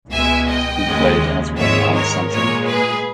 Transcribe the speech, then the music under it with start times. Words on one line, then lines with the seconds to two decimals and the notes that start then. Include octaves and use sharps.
He played as wing and centre.
0.12 C#2 B2 G#3 E5 G#5
0.48 D#5 G5
0.85 D#2 C#3 G#3
1.57 G#2 D#3 G#3 C#5 E5
1.94 A#4 C#5
2.30 A#2 G#3 A#4 C#5
2.67 G#4 B4